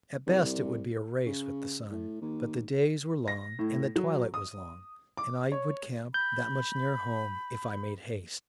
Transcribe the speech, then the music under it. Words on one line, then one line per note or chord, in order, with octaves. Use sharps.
At best it would be a race with the sun, but the days were long, and the twilight was long, and I would camp that much nearer home if I made haste.
C2
C#3
A2
D#2
A#6
A2
F#3
D#6
D6
C#5
B5 G6